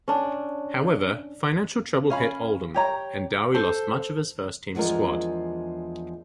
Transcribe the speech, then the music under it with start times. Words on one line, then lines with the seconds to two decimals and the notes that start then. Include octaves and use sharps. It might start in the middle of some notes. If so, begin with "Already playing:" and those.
However, financial trouble hit Oldham and Dowie lost much of his first team squad.
0.08 C#4 D4
2.10 C#4 F5 B5
2.74 G4 C#5 A#5
3.54 A4 C5
4.75 E2 F3 G#3 D4 A#4